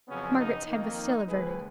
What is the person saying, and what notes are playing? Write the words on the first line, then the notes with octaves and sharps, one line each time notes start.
Margaret's head was still averted.
F2 C#3 F#3 B3 C#4
D#4
F2 D#3 A#3 D#4
D#2 C#3 G#3 G#4 B4